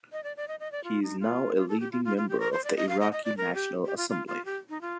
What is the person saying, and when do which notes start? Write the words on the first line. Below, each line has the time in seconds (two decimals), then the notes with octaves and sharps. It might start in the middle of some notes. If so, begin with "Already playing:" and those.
He is now a leading member of the Iraqi National Assembly.
0.12 D#5
0.24 D5
0.37 D5
0.48 D#5
0.60 D#5
0.72 D5
0.84 F4
1.03 D#4
1.20 F4
1.57 F4
1.69 A4
1.80 G4
1.92 F4
2.05 F4
2.17 F4
2.29 G4
2.40 A#4
2.53 C5
2.64 D5
2.77 D#5
2.89 F5
3.00 D#5
3.12 D#5
3.25 D5
3.37 A#4
3.55 G4
3.85 G4
3.97 F4
4.09 F4
4.27 F4
4.45 G4
4.69 D#4
4.81 F4